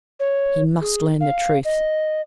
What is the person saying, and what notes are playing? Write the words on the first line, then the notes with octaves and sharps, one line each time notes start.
He must learn the truth.
C#5
G#4
F5
D#5